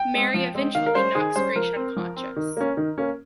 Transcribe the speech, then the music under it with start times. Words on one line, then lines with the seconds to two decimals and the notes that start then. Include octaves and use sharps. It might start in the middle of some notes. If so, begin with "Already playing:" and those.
Mary eventually knocks Grace unconscious.
Already playing: G5
0.14 G#3 C4
0.34 F3
0.55 G#3 C4
0.75 D#3 F5
0.86 A#4
0.95 G3 C#4 C5
1.15 D#3 G#4
1.36 G3 C#4 C5
1.56 F3 A#4
1.76 C4
1.96 F3
2.16 C4
2.36 D#3
2.57 A#3 C#4
2.77 D#3
2.98 A#3 C#4